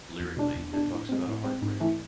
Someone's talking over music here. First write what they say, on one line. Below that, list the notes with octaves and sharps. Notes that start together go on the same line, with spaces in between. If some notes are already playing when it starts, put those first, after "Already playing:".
Lyrically, it talks about a heartbreak.
E2
B2 G#3 D4
E2
B2 G#3 D4
A2
G#3 C4
A2
G#3 C4
G#2
E3 A3